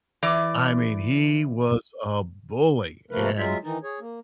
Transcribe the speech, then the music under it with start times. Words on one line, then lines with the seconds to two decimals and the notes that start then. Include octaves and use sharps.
I mean, he was a bully. And,
0.23 E3 D5
3.11 C3 F3 A3 A#3 A#4 B4
3.38 F#3 G#3 F4 E5
3.64 D#3 E3 D#4
3.83 G#4 C#5
4.00 A#3